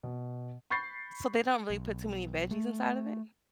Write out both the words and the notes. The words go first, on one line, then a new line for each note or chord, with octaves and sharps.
So, they don't really put too many veggies inside of it?
B2
B5 C#6 G6 A6 C7
B1
A3